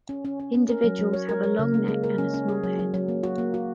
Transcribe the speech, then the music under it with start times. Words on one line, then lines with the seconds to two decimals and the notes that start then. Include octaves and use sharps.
Individuals have a long neck and a small head.
0.09 C#4
0.25 C#4
0.40 C#4
0.55 C#4
0.69 A#4
0.84 F#3
0.99 F#3
1.13 C#5
1.29 A#4
1.43 A#4
1.59 C#3
1.74 A#3
1.88 G#3
2.04 A#4
2.18 C#4
2.34 C#4
2.49 G#4
2.64 F#3
2.79 F#3
2.94 F#3
3.08 A#3
3.23 F#4
3.38 A#3
3.54 F#4